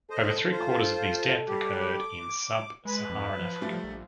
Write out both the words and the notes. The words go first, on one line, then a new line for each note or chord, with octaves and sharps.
Over three-quarters of these deaths occurred in sub-Saharan Africa.
A4 C5 D#5
F4 C5
G3 G4
D6
G#3 B4
F2
F3
G3 A3 A4
A#1